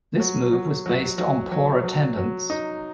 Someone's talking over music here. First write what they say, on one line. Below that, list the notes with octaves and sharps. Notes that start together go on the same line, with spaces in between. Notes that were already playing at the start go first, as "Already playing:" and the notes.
This move was based on poor attendance.
F#3
F#3
F#3
F#3
F#3
F#3
F#3
D#4